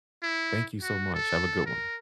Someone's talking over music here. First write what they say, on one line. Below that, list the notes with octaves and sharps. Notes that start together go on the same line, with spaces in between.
Thank you so much. Have a good one.
E4
F#4
A4
A#4